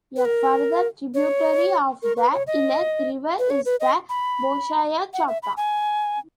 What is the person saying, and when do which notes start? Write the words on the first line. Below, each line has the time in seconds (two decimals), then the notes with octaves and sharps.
A further tributary of the Ilek River is the Bolshaya Chobda.
0.17 B4
0.25 A#4
1.14 C#5
2.03 A#4
2.17 B4
2.33 C#5
2.47 D#5
3.39 B4
3.50 C#5
3.66 B4
3.80 D#5
4.10 B5
5.14 F#5
5.28 E5
5.43 B5
5.57 G#5